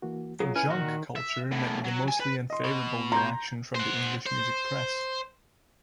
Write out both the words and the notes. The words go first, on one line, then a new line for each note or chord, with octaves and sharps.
"Junk Culture" met with a mostly unfavourable reaction from the English music press.
E3 A#3 F#4
F#3 F4 G#4
C#4 E4 B4 G#5 F6
A#2 D#3 F#4 F6
E5
E2 A2
F#3
G#5
B4
D#5 C6
B2
A#5 C6 G6
C5 F#5
C5